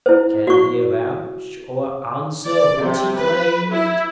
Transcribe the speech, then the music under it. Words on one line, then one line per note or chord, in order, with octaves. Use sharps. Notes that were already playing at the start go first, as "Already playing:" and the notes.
Can he avouch, or answer what he claimed?
E4 C5
F#4 C#6
D5
C3
B4
E4